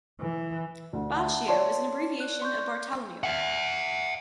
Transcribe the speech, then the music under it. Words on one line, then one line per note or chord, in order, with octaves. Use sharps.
Baccio is an abbreviation of Bartolomeo.
E3
D2
E5 F#5 A5
C#5 D5 A5 C6
F#6
C6 C#6 G6
E5 F#5